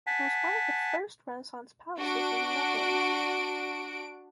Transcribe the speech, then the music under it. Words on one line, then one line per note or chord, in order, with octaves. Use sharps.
It was one of the first Renaissance palaces in the Netherlands.
F#5 G#5 A5 B6
D4 F#4 D7